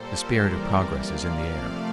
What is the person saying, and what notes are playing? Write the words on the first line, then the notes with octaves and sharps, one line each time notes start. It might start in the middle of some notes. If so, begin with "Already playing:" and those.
The spirit of progress is in the air.
Already playing: A#2 G3 A#3 A4 C5
C3 E3 G3 A#4 D5
C3 F3 A#3 D5 F5
C3 F3 A3 D5 F5